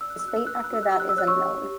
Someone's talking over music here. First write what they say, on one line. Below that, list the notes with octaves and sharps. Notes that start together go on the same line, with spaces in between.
His fate after that is unknown.
D5 E6
F#6
E6
F#4 F#6
E6
B4 F#6
E6
F#6
F#4 E6
F#6
G4 E6
F#6
E6
C#5 F#6
C#6 E6
C#5
G4